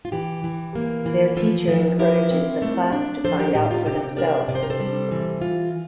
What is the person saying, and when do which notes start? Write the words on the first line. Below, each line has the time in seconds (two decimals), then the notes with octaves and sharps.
Their teacher encourages the class to find out for themselves.
0.05 F4
0.12 E3 G4
0.44 E3
0.75 A#3
1.06 E3
1.37 F3 F4 A4
1.68 F3
1.99 E4 G4 A#4
2.30 C4
2.62 A3
2.93 D4
3.24 F3 A4 C5
3.39 G4 A#4
3.55 A2 G4
3.71 F4
3.86 C3 G4
4.17 D4 A#4 D5
4.49 C3 D5
4.55 C5
4.63 A#4
4.70 A4 C5
4.80 G3
5.11 E3
5.41 F4